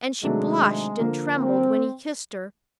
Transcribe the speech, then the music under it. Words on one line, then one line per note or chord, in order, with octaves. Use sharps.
And she blushed and trembled when he kissed her.
C3 D#3 F#3 G#3 A3 D4
D3 F3 A#3
C4